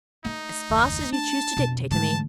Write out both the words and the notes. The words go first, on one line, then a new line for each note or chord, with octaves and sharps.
'As fast as you choose to dictate to me.'
A3 D#4
F#1 D#2
D4 A5
F2 B2
G#2 D3 E3 A3 A5